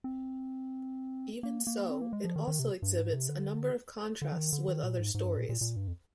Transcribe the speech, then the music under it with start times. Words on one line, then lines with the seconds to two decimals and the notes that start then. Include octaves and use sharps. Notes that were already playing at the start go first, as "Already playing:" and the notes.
Even so, it also exhibits a number of contrasts with other stories.
0.04 C4
1.43 A#3
1.67 A#3
1.90 C4
2.01 A#3
2.13 G#3
2.24 F3
2.36 D#3
2.48 D#3
2.59 C3
2.82 G2
2.98 G#2
3.13 C3
3.29 D3
4.22 D3
4.32 F3
4.37 D#3
4.53 D3
4.68 D#3
4.83 A#2
4.99 G#2
5.15 G#2
5.26 G2
5.37 A#2
5.49 A#2
5.61 A#2
5.76 G2
5.88 F2